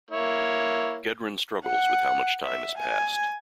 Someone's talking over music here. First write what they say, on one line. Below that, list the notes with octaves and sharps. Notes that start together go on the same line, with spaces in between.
Gedrin struggles with how much time has passed.
A#3 E4 C#5
F#5
E5
G#5